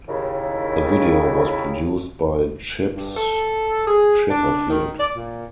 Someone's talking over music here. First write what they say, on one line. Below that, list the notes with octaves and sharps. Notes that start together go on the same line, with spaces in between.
The video was produced by Chips Chipperfield.
D#2 C#3 E4
G2
A4
G#4
D4
D#3
D5
A#2